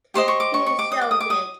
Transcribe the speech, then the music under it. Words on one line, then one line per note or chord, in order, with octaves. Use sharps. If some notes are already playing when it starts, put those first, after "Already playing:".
He showed it.
G4 C5 D#5 C6
C#6
D6
C#6
C#6
D6
D#6
D6
D#6
D6
D#6